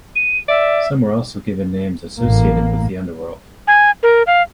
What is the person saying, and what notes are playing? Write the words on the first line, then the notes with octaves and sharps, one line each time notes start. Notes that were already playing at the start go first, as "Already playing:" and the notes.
Some were also given names associated with the underworld.
D#7
D5 E5
A1 A2 A#3
G#5
A#4
F5